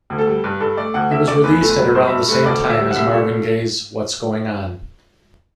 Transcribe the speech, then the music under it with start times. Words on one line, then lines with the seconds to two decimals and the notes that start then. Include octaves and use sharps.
It was released at around the same time as Marvin Gaye's "What's Going On".
0.10 D2
0.18 A4
0.27 G3
0.44 G2 B4
0.60 G2 A4
0.77 A3 D5
0.94 D2 F#5
1.11 D2 E5
1.28 A3 D5
1.44 E2 B4
1.61 A3 A4
1.70 B4
1.78 F#3
1.95 G2 C5
2.07 G2 E5
2.28 A3 B4
2.45 D2 D5
2.62 D2
2.70 E5
2.78 G3
2.91 F#5
2.95 C2 E5
3.13 A3